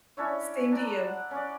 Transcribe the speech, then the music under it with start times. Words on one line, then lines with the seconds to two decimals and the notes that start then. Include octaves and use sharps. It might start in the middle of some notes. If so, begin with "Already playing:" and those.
Same to you.
0.17 C#4 D4 E4 C#5
0.72 D4 A#5
1.07 F#5
1.31 C#4 D5